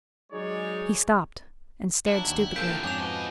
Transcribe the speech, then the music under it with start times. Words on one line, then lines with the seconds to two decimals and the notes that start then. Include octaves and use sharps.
He stopped and stared stupidly.
0.32 F#3 G#3 D#4 G#4 C#5 D5
2.07 F#3 D4 E4
2.27 D#2 G5
2.56 B2 A#3 G#4 A4 C5 G6 B6 D7
2.68 F2 F3 A3 E4 G5 A#5
2.84 F2 G#2 C#3 D4 G#4 D6 G6 F7
2.98 D#2 B2 F3 B3 D#5